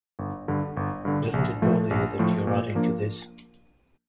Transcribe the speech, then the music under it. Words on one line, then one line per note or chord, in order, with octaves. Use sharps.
Doesn't it bother you that you're adding to this?
G1
G2 D3
G1
G2 D3
A#1
A2 F3 A3
A#1
A2 F3 A3
A#2
F3 A#3 D4